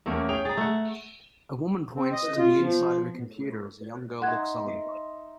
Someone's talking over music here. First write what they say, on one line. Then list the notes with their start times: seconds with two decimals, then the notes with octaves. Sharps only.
A woman points to the inside of a computer as a young girl looks on.
0.06 E2 A3 A#3 C#4 C#5
0.29 G#4 C#5 G5 F7
0.45 G#4 A#5 A6
0.57 A3 F#5
1.95 C4
2.13 D#5
2.37 F4
2.59 F3
4.22 D#4 E5 F#5 C6 F#6 G#6